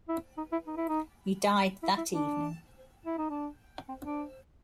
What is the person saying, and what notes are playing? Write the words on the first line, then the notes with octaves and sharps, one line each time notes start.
He died that evening.
E4
D#4
E4
D#4
E4
D#4
E4
E4
D4
E4
D#4
D4
C4
D4